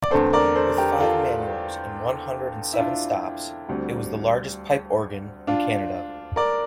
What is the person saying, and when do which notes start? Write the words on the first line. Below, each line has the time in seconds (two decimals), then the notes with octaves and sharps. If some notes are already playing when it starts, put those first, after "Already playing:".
With five manuals and one-hundred-and-seven stops, it was the largest pipe organ in Canada.
0.03 D5
0.10 E2 D3 A3 C4 A4 C5
0.33 A#4 D5
0.55 A4 C5
0.78 G4 A#4
1.00 F4 A4
2.73 E4
2.79 D4 F4
3.69 D2 D3 G3 C4
5.47 D4 F4
6.36 A#4 D5